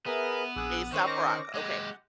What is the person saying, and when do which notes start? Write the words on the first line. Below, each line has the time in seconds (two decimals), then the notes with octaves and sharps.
Aesop Rock, okay.
0.06 B3 G#4 A#4 B4 E5
0.56 A#1 G#4 D6 E6 F#6
0.93 D#3 C#4 C5 C#6
1.07 D6 A#6
1.54 G#3 G4 F#5